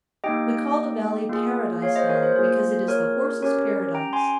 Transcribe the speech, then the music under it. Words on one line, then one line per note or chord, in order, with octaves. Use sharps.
We call the valley Paradise Valley because it is the horses' paradise.
A#3 D#4 G4 D#5 G5
A#3 F4 G#4
C#5 F5
C5 D#5
A#4 C#5
C5
A#3 F4 G#4 C5
A#4 C#5
C#4 G4 A#4 C#5
G5 A#5
G#5 C6